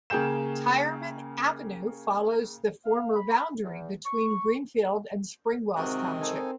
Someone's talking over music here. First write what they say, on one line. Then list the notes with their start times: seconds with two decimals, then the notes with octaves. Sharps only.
Tireman Avenue follows the former boundary between Greenfield and Springwells Township.
0.10 C#3 A#3 G#4 G5 G6 E7
2.85 F5
3.15 B5
3.63 E2
4.05 C#6
5.76 C3 D#3 G#3 C4 F#4 A#4 F#6
6.21 C4 D#4 A4 A#4 G#5